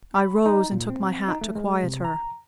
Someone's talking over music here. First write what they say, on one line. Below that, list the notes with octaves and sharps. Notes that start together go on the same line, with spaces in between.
I rose and took my hat to quiet her.
B5
D#4
A#2
C4
D#4
A3
G#3
C3
A#5